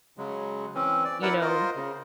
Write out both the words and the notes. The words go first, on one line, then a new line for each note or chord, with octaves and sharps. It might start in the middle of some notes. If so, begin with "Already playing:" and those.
you know
C#3 F#3 G#3
E3 C4 C#4
D5
E4 A#4 B4 D5 F#5
F4 A#4 C5 D#5
C#3